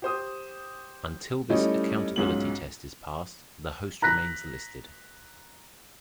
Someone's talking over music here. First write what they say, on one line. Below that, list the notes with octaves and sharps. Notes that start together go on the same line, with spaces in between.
Until this accountability test is passed, the host remains listed.
G4 C5 D#6
G3 A3 C#4 D#4 E4
B1 G#2 C#4 F4 F#7
A#5 F#6 A#6 B6